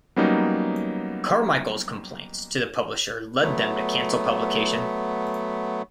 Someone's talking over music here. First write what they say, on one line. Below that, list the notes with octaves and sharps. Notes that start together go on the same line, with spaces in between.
Carmichael's complaints to the publisher led them to cancel publication.
F#3 G3 A#3 B3 C#4 D#4
F#3 A3 B3